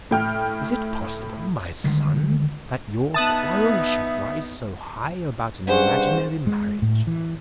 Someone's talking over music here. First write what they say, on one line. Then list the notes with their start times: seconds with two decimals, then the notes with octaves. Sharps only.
Is it possible, my son, that your quarrel should rise so high about an imaginary marriage?
0.11 A2 G5 F6
1.84 D3 D#3 G3 G#3
3.14 B3 D#4 E5 A5 D#6 F#6
5.68 G2 C#4 G#4 C5 F#5 C#6
6.47 G#3
6.82 A2
7.07 E3